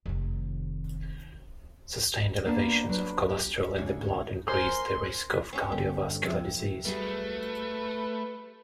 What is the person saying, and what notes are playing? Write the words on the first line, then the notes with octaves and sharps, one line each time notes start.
Sustained elevations of cholesterol in the blood increase the risk of cardiovascular disease.
F1 D#3
A#3 B3 D4 D#5 A5
F#3 D4 B4
G4
D2 G#2 C#3 C#5
A#4 C5 G#5 C6
B6
C4 C#4 G4
G1 G2 D3 G4
F2 C3 F3
G3 A3 F#4 G#4 B4